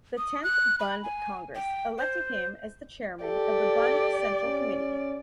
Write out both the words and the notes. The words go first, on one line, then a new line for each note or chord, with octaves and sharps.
The tenth Bund congress elected him as the Chairman of the Bund Central Committee.
D#6
F#6
B5
G#5
G5
C5
G4 A4 D5
C#4